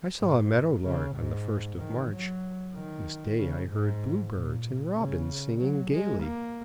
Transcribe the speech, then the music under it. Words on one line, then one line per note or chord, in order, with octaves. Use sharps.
I saw a meadow-lark on the first of March; this day I heard blue-birds and robins singing gaily.
G#2
C#3
G#2
D#3
F#3
D#3
C#3
G#2
A#2
C#3
F#3
G#3
A#3